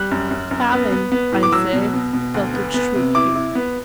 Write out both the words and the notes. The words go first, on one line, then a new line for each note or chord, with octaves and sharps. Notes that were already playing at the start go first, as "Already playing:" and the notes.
Having, I say, felt its truth here.
Already playing: G3 F#6
F#2
F#2
F#2
B3
B3
B3
A2
D6
F#3 E6
B2
B2
B2
D2
B3
B3
C3
E4 D6
E4
B3